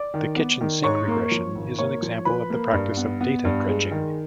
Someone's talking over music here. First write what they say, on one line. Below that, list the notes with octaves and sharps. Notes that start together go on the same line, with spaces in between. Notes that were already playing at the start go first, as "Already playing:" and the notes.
The kitchen sink regression is an example of the practice of data dredging.
Already playing: D5 D6
D#3
B3
D#3
G#2 C#5 C#6
A#3
F3
G#1
A#3 C#5 C#6
F3
F3 B4 B5
A#3
G2
B3
B3
G2
G#3
D#3